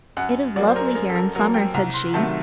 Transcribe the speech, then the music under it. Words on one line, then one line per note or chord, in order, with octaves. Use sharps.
"It is lovely here in summer!" said she.
F#2 F#5
F#3 A#3 D5
C5
A#4
F#2 A#4
A4
A#4
F#3 A#3 A#4
G5
C2 A#5
C6
C3 D#3 F#3 A3 A5